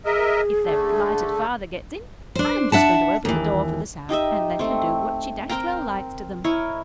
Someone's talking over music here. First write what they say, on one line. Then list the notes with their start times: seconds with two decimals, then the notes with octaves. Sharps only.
If their blighted father gets in, I'm just going to open the door for the sow, and let her do what she dashed well likes to them.
0.05 G#4 A#4 D#5 E5
0.64 D3 A3
2.35 D4 C5
2.72 D4 E5 F#5 A5
3.25 D#2 E3
4.09 D#4 G4 D#5 E5
4.59 A3 C4
5.49 C4 A#4 G5 A#5
6.44 E4 A#4 C#5 D#5